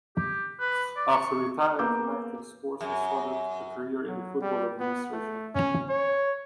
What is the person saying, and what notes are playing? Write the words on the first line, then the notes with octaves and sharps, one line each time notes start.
After retiring from active sports he started a career in football administration.
G4
B4
D5
C#6
A#3 B3 B4 D6 E6 G6
F#2
F#3
G3
B3
A3
C#4
C#5